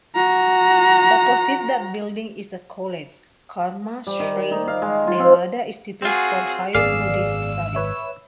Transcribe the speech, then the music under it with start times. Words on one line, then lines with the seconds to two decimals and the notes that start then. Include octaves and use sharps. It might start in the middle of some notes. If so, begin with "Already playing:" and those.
Opposite that building is a college, Karma Shri Nalanda Institute for Higher Buddhist Studies.
0.15 F#4 A#5
4.07 G3
4.20 D#3
4.51 D#4
4.68 F5
4.82 G#3
5.07 F4
5.19 C4
6.02 C4 F4 F#4 G#4
6.75 G#1 F#2 B3 G#4 D5 F5 E6
7.75 B4 C#5 E5